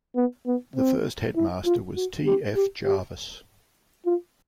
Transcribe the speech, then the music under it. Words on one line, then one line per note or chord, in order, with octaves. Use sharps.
The first headmaster was T F Jarvis.
B3
B3
C4
E4
F4
F#4
G4
G4
G4
F4